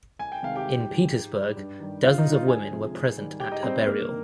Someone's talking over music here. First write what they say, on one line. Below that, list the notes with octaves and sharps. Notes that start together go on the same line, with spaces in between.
In Pietersburg, dozens of women were present at her burial.
C2 G#5
G5
C3 D#3 G#3 F5
G4 G5
G#2
F3 G#3
G#2
G3
G2
D#3 G3
G2 F4 F5
D#4 D#5
D#3 G3
F4 F5
D2 G#4 G#5
C3 F3 G#3
G#2
D#3 G3
G#2 G4 G5
D#4 D#5
G3 C4 C5
G2 A#3 A#4
D#3